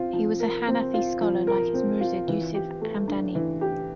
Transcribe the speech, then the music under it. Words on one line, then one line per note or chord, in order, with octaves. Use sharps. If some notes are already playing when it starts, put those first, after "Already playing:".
He was an Hanafi scholar like his murshid, Yusuf Hamdani.
Already playing: C4 F4
F3
A#4
C4
F4
F3
A#4
C4
F4
E3
G4
A3
D4
E3
G4